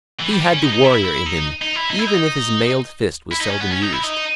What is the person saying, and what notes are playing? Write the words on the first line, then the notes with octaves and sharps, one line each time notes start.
He had the warrior in him, even if his mailed fist was seldom used.
E3
G3
G3
C#4
D#4
D#4
E4
E4
E4
D#4
D#4
E4
D#4
E4
D#4
E4
D#4
C#4
B3
C#4
D#4
E4
D#4